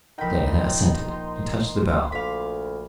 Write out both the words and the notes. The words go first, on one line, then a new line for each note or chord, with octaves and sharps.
Diana assented, and touched the bell.
A#1 D#4 A#4 G5 B5 C6
D2 F5 B5 D6